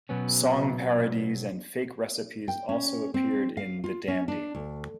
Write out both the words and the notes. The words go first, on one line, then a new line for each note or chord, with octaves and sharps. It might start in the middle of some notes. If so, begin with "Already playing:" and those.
Song parodies and fake recipes also appeared in "The Dandy".
B2 F#3 B3 C#4
G5
C#4
C4
F5
F4
C#4
D4
D2